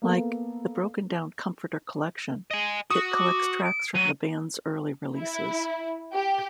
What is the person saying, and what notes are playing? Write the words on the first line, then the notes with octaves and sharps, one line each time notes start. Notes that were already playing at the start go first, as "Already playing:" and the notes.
Like "The Broken Down Comforter Collection", it collects tracks from the band's early releases.
A#3 B3 A4 A#4
D#5 G#5
F#4 D#6
D6
D7
F#3 D#7
E4
G4